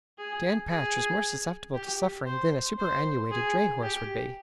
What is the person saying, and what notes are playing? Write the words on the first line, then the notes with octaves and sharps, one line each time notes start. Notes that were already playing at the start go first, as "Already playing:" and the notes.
Dan Patch was more susceptible to suffering than a superannuated dray horse would be.
G#4
G#4
G4
C5
C5
G#4
G4